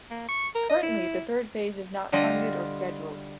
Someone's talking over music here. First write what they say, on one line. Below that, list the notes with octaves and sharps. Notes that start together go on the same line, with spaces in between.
Currently, the third phase is not funded or scheduled.
A#3
C#6
A#4
D#5
E4
D3 G3 F4 D#5